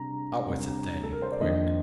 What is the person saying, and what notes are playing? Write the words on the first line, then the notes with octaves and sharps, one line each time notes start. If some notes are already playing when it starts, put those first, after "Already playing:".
'Out with it then, quick!
Already playing: C3 G3 D4 A#5
C3 G3 D4
A4
A#4
C5
D5
F2 D#3 A#3 D4 D#5